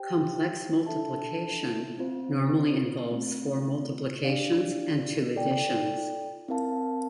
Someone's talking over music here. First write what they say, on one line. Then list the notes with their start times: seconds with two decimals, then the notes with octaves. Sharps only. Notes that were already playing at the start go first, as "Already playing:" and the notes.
Complex multiplication normally involves four multiplications and two additions.
Already playing: G4 C5 G5
0.86 D4 A4 E5 A5
1.98 C4 F4 C5
3.11 A3 C4 F4
4.24 D4 G4 D5 F5
5.36 F4 A4 D5 G5
6.48 C4 E4 A#4 F5 A5